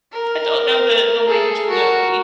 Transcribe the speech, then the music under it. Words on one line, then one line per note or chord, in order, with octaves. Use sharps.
I don't know the the language fluently.
A#4
G#4 A4
F#4 A#4